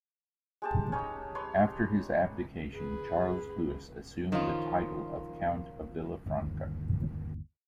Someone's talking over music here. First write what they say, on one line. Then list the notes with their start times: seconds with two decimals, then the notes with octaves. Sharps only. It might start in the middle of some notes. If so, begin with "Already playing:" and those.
After his abdication Charles Louis assumed the title of Count of Villafranca.
0.62 G#3 G4 A5
0.92 C#4 D#4 C#5
1.35 B4 C#5 C6
2.74 G#4 B4
4.32 D#3 F3 C#4 F4
6.26 G1 D#2